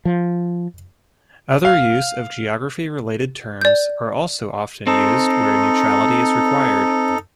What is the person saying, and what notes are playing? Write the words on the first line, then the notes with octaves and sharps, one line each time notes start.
Other use of geography-related terms are also often used where neutrality is required.
F3
F5
D5 G6
C4 D#4 A4